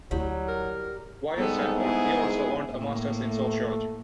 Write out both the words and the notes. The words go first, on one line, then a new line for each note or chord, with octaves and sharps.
While at Stanford he also earned a Masters in Sociology.
D2 F#3 G3 E4
A#4
G#2 G3 B3 A4
B3 E4 G#4
A2 A#3
A3